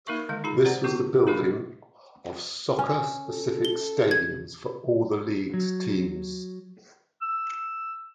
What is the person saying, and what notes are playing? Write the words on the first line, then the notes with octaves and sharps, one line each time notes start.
This was the building of soccer-specific stadiums for all the league's teams.
A#3 D#4 A#4 E5 C#6
D3 D#3 G#3 F5
D#4 F4 G#4 A#5
B4 C5 D5 F#5 A#5
D3 B3 E4 F#4
A#3 D#4 G4 A#4
C#4
A4
G7
G#6
F#3
E6